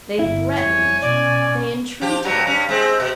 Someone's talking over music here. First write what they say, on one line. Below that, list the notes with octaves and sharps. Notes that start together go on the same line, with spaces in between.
They threatened, they entreated.
G1 A#3 E4
F2 G3 C#5 G#5
B2 C#4 D5
F3 G4
G2 F#3 G3
G2 C#4
G#3 C4
B2